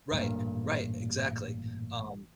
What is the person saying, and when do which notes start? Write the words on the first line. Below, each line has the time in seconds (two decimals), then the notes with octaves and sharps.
Right, right, exactly, um
0.11 A1 G2 A#2